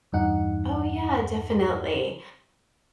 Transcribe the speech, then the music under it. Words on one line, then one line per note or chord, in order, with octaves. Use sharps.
Oh, yeah, definitely.
E2 G2 D#4 F#5